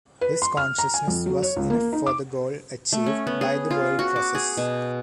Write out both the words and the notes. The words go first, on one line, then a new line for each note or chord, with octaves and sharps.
This consciousness was enough for the goal achieved by the world process.
B4
C6
F6
A#5
G#5
F2
F#3
C#5
C#2
A#3
D#4
D6
A3
C#4
B3
G#4
F4
F#4
D6
G#4
B2